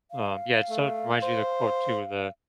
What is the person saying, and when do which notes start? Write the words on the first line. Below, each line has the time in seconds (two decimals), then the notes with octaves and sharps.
um Yeah, it sort of reminds you of the quote too, the
0.11 F5
0.70 A3
1.22 C5